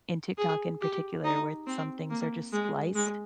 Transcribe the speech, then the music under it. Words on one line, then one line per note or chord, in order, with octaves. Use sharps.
in TikTok in particular, where some things are just spliced,
G#4
G4
D#4
C4
A#3
G#3
G#3